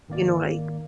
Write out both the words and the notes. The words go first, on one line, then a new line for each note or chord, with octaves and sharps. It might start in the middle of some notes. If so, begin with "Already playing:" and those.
You know, like,
G#1 D#3 A#3 D5